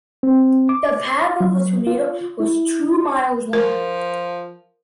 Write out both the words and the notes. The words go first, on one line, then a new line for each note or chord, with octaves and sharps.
The path of the tornado was two miles long.
C4
D6
F#3
F4
E4
F3 A#4